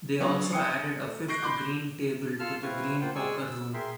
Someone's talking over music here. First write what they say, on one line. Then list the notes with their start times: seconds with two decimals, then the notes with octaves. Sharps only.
They also added a fifth green table to the Green Poker Room.
0.20 F3 F#3 B3 D4 C#5
0.52 G5 G#5 D#6 C#7
1.02 A3
1.28 C#6 F#6 G6 A#6 C7 D7
1.43 B5 C6 D6 G6
2.39 F4 A4 A5 F6
2.62 C4 E4 B4 F5 C#6
3.01 A#3 F4 C5 F#5 G5
3.15 G#3 G#4 D5 G#5 C#6 E6
3.43 E6
3.74 G#4 A#4 E5 G5 C6